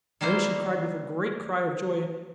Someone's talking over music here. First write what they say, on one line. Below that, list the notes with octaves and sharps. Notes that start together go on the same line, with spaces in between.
Then she cried with a great cry of joy.
D#3 G3 A#3 E4 C5